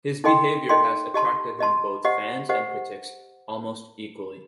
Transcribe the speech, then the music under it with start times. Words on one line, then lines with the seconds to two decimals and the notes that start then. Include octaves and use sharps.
His behavior has attracted him both fans and critics almost equally.
0.24 D#4 A4 D#5 G5 C6
0.69 D#4 A4 D#5 G5 C6
1.14 G4 D#5 A5 C6
1.59 G4 D#5 A5 C6
2.05 G4 C5 D#5 F#5
2.49 G4 C5 D#5 F#5